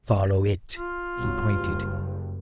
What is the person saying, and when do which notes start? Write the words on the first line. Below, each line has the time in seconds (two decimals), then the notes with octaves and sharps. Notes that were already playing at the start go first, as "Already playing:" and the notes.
"Follow it." He pointed.
0.75 F4
1.17 B1 G2 F#3
1.49 F#1 G2